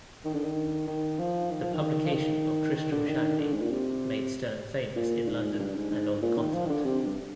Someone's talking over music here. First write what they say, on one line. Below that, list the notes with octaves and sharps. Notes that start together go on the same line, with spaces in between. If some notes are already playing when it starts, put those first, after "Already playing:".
The publication of "Tristram Shandy" made Sterne famous in London and on the continent.
D#3
D3
D#3
D#3
F3
D#3
F3
D#3
F3
D#3
D#3
D3
D#3
D3
G#2
A#2
C3
A#2
G#2
G#2
G2
G#2
G#2
G#2
A#2
D#3
F3
D#3
D3
C3
G2